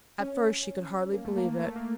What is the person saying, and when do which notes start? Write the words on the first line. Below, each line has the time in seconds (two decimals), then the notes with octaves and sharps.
At first she could hardly believe it.
0.20 C#4
1.13 A#3
1.25 A3
1.37 A#3
1.60 A3
1.76 A#3